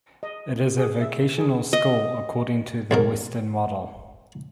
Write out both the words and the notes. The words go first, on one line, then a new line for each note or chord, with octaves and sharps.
It is a vocational school according to the Western model.
D#5
G#4
E5
G#4
D#5
B1 G#2 A#4